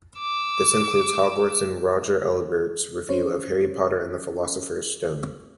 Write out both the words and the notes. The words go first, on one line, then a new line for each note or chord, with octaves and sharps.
This includes Hogwarts in Roger Ebert's review of "Harry Potter and the Philosopher's Stone".
D6 E6
C#4 C5 C#5